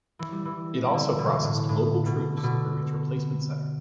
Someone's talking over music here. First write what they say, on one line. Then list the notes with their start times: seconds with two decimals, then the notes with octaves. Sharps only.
It also processed local troops through its replacement center.
0.19 E3
0.32 G3
0.45 E3
0.94 D3
1.19 B2
1.43 A2
1.69 A2
2.06 B2
2.37 D3
2.43 B2